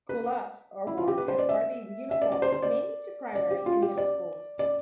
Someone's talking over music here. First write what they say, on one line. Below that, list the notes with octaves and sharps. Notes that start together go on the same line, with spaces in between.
Culottes are worn as part of a uniform mainly to primary and middle schools.
B4
E4
F4
G4
B4
C5
D5
E5
E5
D5
D5
C5
C5
D5
D5
G4
F4
G4
D5
D5